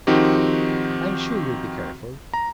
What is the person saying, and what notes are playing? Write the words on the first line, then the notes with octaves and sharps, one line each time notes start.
I'm sure you'll be careful.
D#3 F3 C4 D#4 F#4 G4
A#5